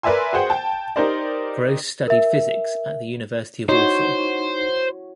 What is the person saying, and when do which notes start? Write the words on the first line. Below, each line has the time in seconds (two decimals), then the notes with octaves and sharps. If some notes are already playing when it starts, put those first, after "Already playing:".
Gross studied physics at the University of Warsaw.
0.03 A#4 B4 D5 E5 G#5 C6
0.33 F#4 G#4 C5 F#5 G5
0.50 G5 A5
0.96 D#4 G4 A#4 C5 D5
2.08 A#4 E5
3.69 D#4 E4 F#4 C5 C#5